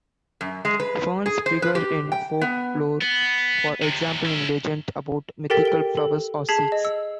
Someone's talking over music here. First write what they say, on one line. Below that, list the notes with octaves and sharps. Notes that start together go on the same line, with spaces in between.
Ferns figure in folklore, for example in legends about mythical flowers or seeds.
F#2
G#3
B4
G#4
C5
B4
G4
G5
B3
B3
D#2 C3
C#4 E5
G4 A4 A#4 G5 A6 B6
G5 G7
A4
G#4 A5 G#6 B6 C7 F#7
D#5
E6